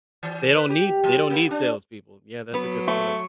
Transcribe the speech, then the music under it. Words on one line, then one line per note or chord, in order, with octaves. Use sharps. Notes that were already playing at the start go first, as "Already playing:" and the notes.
they don't need they don't need salespeople. Yeah, that's a good point.
E3
B4
G4
F#3
A#3
D4
F#3 B3 B4
A3 C#6